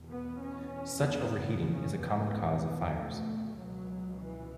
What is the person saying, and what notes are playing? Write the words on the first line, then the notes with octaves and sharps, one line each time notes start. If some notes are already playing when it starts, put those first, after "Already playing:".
Such overheating is a common cause of fires.
Already playing: E2 B2
B3
C#4
E2 C#3 B3
C#4
B3
C#2 B2 B3
A3
C#2 B2 F#3
E3